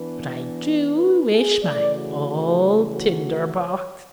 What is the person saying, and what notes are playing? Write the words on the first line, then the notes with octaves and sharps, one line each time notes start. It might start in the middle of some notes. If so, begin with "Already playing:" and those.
But I do wish my old tinder-box.
Already playing: E3 B3 D4 B4
B4
G#4
C#3 E3 A3 D5
F#4
F#4
C#5